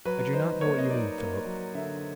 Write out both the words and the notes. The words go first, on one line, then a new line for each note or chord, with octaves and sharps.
"I do not know what you mean, Philip."
F#3 B4
D#4 C5
A#3 C#5
D#5
D#4 D5
A#3
F#3
D3 E5